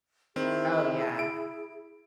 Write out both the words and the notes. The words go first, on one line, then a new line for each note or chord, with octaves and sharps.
Oh, yeah.
D#3 C4 E4 G#4
D7